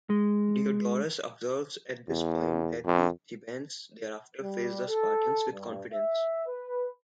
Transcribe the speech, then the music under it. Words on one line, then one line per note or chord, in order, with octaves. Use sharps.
Diodorus observes at this point that the Thebans thereafter faced the Spartans with confidence.
G#3
E2
F2
G3
A4
G2
E5
B4